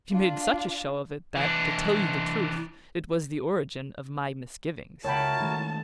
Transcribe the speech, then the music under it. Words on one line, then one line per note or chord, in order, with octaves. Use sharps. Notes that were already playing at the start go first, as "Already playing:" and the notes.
"She made such a show of it, that, to tell you the truth, it was the origin of my misgivings."
D4 F4
E3 D4
C#2 E4 F#4 A#4 C#5 G5 A5 B5
D#3 G#3 A3